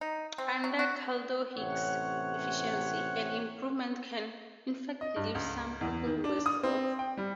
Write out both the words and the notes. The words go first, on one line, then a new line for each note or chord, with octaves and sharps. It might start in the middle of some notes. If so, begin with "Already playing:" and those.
Under Kaldor-Hicks efficiency, an improvement can in fact leave some people worse off.
D#4
C4
F#3
F#4
A1 C3 C#5 F#5
D#5
G2
C#2
E2
D#3
D4
D#6
C4
G5
G3